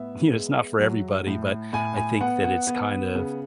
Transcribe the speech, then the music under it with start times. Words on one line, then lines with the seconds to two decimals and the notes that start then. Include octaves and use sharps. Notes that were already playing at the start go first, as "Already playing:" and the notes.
You know, it's not for everybody, but I think that it's kind of
Already playing: A2 B3 E5
0.33 G#3
0.80 F#3
1.27 A2
1.73 A2 G#5
1.96 G#5
2.21 B3 F#5
2.44 F#5
2.67 B3
3.15 C#3